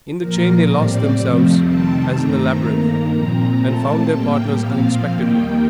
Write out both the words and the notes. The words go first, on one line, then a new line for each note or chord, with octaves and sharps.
In the chain they lost themselves as in a labyrinth and found their partners unexpectedly.
A#2 F3 A#3 A#4
A2 G3 C4 D5
F2 C3 F3 A3 C4
C3 D#3 G3 C4 A5
G2 D#3 A3 C4 A#5
G2 D#3 A#3 A#5
A#2 F3 C4
A#2 A3 C4 A5
A2 G3 A#3 G5
A#2 F3 C4 F5
D#2 D#3 G3 A#3 G5